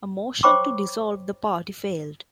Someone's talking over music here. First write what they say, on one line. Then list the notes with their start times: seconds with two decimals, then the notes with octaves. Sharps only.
A motion to dissolve the party failed.
0.43 C5 C#5 G5 B5 C#6 D6